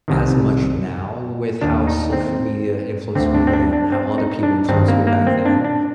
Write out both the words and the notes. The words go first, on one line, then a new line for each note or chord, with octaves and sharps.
as much now with how social media influenced me and how other people influenced me back then.
C2 C3 D#3
D#2 D#3 D4
D#4
C4
D2 D3 C4
D4
C4
D4
D4
C4
D#4
D4
G2 D#3 C4
A#3
A#3
C4
D4
D4